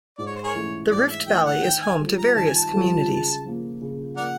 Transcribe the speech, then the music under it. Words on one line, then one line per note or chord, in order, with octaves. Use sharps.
The Rift Valley is home to various communities.
G#2 D5
C#5
C5
G#4 A#4 C#5
E3 A3 C#4
G#2 D5
E5
E3 A3 C#4 G5
F#5
D#3 G5
G#5
G3 C4 F4 A4
A#5
D#3 A5
G#5
A5
G3 C4 F4 A4
C#3
F3 A#3
C#3
F3 A#3 A#4 D5 F#5